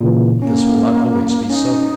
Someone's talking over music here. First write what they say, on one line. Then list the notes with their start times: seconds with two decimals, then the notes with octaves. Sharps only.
But this will not always be so.
0.01 A#2 C#3 E3
0.42 A#3 C#4
1.50 C#4 D#4